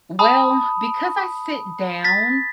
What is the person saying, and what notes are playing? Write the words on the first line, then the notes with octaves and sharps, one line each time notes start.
Well, because I sit down
A5 B5 D#6
A6 B6